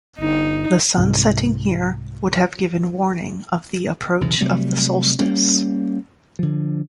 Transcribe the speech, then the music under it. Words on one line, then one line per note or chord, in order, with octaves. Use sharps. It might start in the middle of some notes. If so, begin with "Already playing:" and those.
The sun setting here would have given warning of the approach of the solstice.
G1 D#4
C2 G#2
B1 E2 C#3 E3
C3 F#3 G3 A3
G3 A#3 C#4
D3 F3